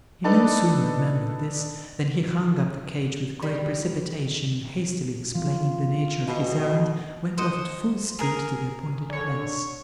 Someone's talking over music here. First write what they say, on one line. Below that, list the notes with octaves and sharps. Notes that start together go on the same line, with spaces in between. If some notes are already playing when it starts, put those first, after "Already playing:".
He no sooner remembered this, than he hung up the cage with great precipitation, and hastily explaining the nature of his errand, went off at full speed to the appointed place.
D4 D#4 A4 B4 D5 D#5
G3
E3 F3 B3 F4
D2 B2 D#5
C5 D#5 F#5
G#4 A#4
D3 C#5